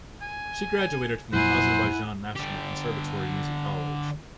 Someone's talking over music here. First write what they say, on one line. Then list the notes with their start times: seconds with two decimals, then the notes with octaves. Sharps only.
She graduated from Azerbaijan National Conservatory Music College.
0.22 G#5
1.32 F2 A#2 F#3 E4 C5 F#5 G#5
2.36 D3 G4